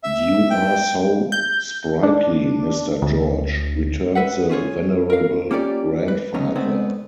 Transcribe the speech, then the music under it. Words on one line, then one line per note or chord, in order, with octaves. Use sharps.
"You are so sprightly, Mr. George," returns the venerable grandfather.
E5
G5
G6
D4
D2
B4 E5 F#5
C#4 F4 G#4 C#5
A#4 F5
A#3 C#4 F4 G4 C5 D5
B4
D3 F#3 B3 C#4 D#4
G#3 A3 B3 C4 D4